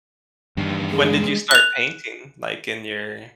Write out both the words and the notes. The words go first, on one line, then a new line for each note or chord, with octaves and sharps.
When did you start painting, like, in your,
E2 G2 D#3
G#3 G#4
F#6 F7